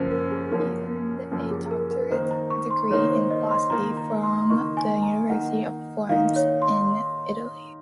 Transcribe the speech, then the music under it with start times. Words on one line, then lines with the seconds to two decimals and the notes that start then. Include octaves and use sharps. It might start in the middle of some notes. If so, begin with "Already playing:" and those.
He earned a doctorate degree in philosophy from the University of Florence in Italy.
Already playing: F#2 F3 A#3 C#4 A#4 C5
0.12 A#4
0.32 G#4
0.51 F#2 F3 A#3 C#4 A#4
1.31 F#2 F3 A#3 C#4
1.51 G#4
1.71 A#4
1.91 A#4
2.10 D#3 A#3 D#4 C5
2.31 A#5
2.50 C#6
2.71 C6
2.90 D#3 A#3 D#4 C#5
3.10 C5
3.31 D#5
3.51 C6
3.70 D#3 A#3 D#4 A#5
3.97 A#5
4.23 C6
4.50 D#3 A#3 D#4 C#6
4.77 G#5
5.03 A#5
5.29 D#3 A#3 D#4 F#5
6.09 D#3 A#3 D#4 F5
6.36 C#5
6.62 C6